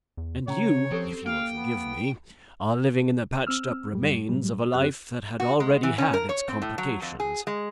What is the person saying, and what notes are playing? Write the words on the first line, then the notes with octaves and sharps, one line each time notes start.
And you--if you will forgive me--are living in the patched up remains of a life that had already had its complications.
E2
C#3 C#4 C#5 A#5
F3 C4 G4 A4 C5
A#3 F5 G5
B3
C4 E6 F6
F#2 G3
A2 F#3 G3
F#2 C4 G4 F#6
F#4
G#3
E3
C#4
A#4
C#5
C4
A2
F#3
F2
G#4
G#3